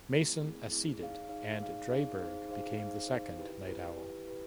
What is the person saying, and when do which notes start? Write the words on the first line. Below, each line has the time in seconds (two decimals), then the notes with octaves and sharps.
Mason acceded and Dreiberg became the second Nite Owl.
0.11 A3 C4 E4 G#4
0.40 A3 C4 E4 G#4
0.70 A3 C4 E4 G#4
1.00 D#4 G#4 C#5 F5
1.29 D#4 G#4 C#5 F5
1.59 D#4 G#4 C#5 F5
1.89 D#4 G#4 C#5 F5
2.18 D#4 G#4 C5 F5
2.48 D#4 G#4 C5 F5
2.78 D#4 G#4 C5 F5
3.07 D#4 G#4 C5 F5
3.37 E4 G4 B4
3.67 E4 G4 B4
3.96 E4 G4 B4
4.27 E4 G4 B4